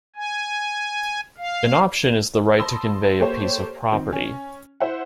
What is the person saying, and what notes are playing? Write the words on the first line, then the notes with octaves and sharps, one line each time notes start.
An option is the right to convey a piece of property.
G#5
F5
A5 B5 C6 D#6 E6 A#6
A#3 G4 A4 C5 C#5
D#3 C4
C#4
E4 C5 E5 F#5